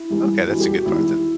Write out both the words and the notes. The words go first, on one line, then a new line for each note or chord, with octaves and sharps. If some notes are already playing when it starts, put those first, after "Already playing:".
Okay, that's a good part then,
Already playing: E4
G2 E3 G3
G2 E3 G3 F#4
G4
F#4
E2 D#3 G3 E4